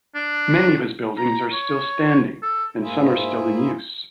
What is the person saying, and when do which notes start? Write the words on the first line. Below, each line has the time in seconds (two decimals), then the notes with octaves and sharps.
Many of his buildings are still standing and some are still in use.
0.15 D4
1.18 A#5
1.53 C#5
2.43 A4
2.82 G#2 A#3 E4 F4 G#4 E5